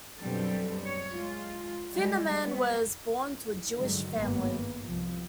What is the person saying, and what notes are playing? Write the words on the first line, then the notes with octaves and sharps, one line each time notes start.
Finerman was born to a Jewish family.
F#2 B2 G3 C4 D4 A4
C#5
G#3 F4
G3 G#3
B3
G2 D3 D#3 F#3 G#3
G#1 G2 D#3 G#3 A#3 B3
C2 F3